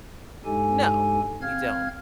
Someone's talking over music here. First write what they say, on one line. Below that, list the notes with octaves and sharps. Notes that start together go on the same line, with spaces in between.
No. W we don't.
G2 G#3 D#4 G4 A4 G#5
C4 F5 F6 G#6